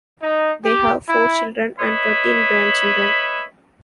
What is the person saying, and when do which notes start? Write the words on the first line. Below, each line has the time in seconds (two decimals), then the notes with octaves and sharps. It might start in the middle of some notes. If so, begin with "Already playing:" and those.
They have four children and thirteen grandchildren.
0.22 D#4
0.65 G4
1.08 E4
1.79 B4 C#5 D#5 E5 B5